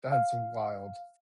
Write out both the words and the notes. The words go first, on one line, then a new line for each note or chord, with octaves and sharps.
That's wild.
F5